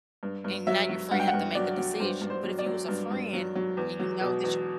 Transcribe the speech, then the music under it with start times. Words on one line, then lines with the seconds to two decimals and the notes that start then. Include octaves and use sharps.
and now your friend have to make a decision, but if you was a friend and you know that, you
0.23 G2
0.44 G2
0.67 F#3 E5
0.89 F#3
1.11 G2 F#5
1.20 G5
1.28 F#5
1.34 G2
1.55 F#3 D5
1.77 F#3
2.00 G2 C5
2.21 G2
2.30 C5
2.44 F#3
2.59 D5
2.66 F#3
2.88 G2
3.11 G2
3.33 F#3
3.55 F#3
3.77 E2
3.99 F#3
4.21 B2
4.44 E2